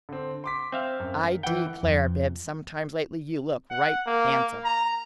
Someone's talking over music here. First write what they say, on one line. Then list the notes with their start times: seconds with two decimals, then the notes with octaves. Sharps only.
"I declare, Bibbs, sometimes lately you look right handsome!"
0.09 D3 C4
0.44 C6 D6 B6
0.72 C4 E5 F5
1.00 F#2
1.43 E3 F#5 G5
1.83 F2
3.70 F#5
4.06 A#3
4.65 A#5